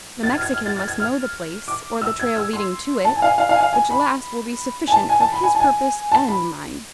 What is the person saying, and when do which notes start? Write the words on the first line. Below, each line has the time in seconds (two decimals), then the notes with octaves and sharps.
The Mexican must know the place, or the trail leading to it; which last will be sufficient for his purpose and mine.
0.23 A6
0.31 G#6
0.37 F6
0.43 G#6
0.54 F6
0.66 A6
0.76 A6
0.88 G#6
1.00 F6
1.68 D6
2.02 E6
2.20 G#6
2.36 E6
2.53 C6
3.05 A5
3.16 G#5
3.22 F5
3.28 G#5
3.38 F5
3.49 F5
3.56 G#5
3.61 F5
3.73 G#5
3.90 B5
4.88 G#5
4.92 A5
5.09 G#5
5.20 A5
5.32 B5
5.43 G#5
5.55 A5
5.60 G#5
6.12 A5
6.28 B5